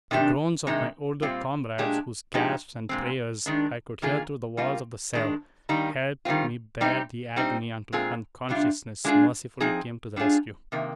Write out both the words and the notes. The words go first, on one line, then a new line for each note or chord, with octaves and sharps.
The groans of my older comrades, whose gasps and prayers I could hear through the walls of the cell, helped me bear the agony until unconsciousness mercifully came to the rescue.
C3 D#3 G3 D4 G4
C3 D#3 G#3 D#4
A#2 G3 C4 F4
A#2 G#3 D4 G4
A#2 F3 G#3 D#4 G4
A#2 G#3 C4
D#3 G#3 D4
D#3 A#3 F4 G#4
G3 A#3 F4
D#3 G#3 D4
D#3 G3 A#3 D#4
D#3 G3 C4 F4
G3 C4 D#4 G4
G3 C4 D#4
A#2 G#3 C4 F4 G#4
C3 G3 D4 F4
G#3 D4 F4 G#4
F3 C4 D#4 G#4
G3 D4 F4 G#4
C3 D#3 A#3